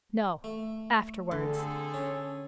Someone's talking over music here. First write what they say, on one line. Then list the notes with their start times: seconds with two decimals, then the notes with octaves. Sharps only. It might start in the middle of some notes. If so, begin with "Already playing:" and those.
"No, afterwards."
0.44 A3
1.31 D3 C4 G#4 A4
1.94 C#4